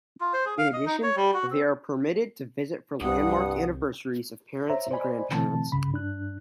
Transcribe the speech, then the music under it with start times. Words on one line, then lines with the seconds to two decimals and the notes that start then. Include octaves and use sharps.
In addition, they are permitted to visit for landmark anniversaries of parents and grandparents.
0.21 F4
0.33 C5
0.46 G#4
0.58 F5
0.73 D#5
0.86 D#4
1.03 C#5
1.16 G3
1.34 F#4
1.51 C4
3.01 C2 G2 F#5 D#6
4.70 C5 C#5 E5 A#5
4.91 C5 D5 D#5 G#5 B5
5.31 B2 D3 E3 A3 C4 A5
5.72 C2 G2 C#3 B5
5.92 G2 D4 F#6